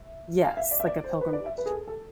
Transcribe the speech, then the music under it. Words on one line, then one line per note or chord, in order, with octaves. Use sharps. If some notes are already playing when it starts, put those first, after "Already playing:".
Yes, like a pilgrimage.
Already playing: E5
F5
E5
D5
E5
D5
C5
B4
D5
E5
B4
G#4
A4
A4